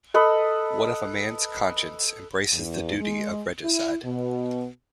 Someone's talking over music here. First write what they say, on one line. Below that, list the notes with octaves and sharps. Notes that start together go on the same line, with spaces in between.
What if a man's conscience embraces the duty of regicide?
A4 B4 D#5
E2
G#3
E4
B2